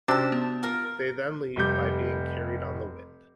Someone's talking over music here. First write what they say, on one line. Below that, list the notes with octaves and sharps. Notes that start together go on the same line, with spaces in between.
They then leave by being carried on the wind.
C3 C#4 D4 F#4 A5 E6
B3
F4 A#4
F1 G3 D6 G6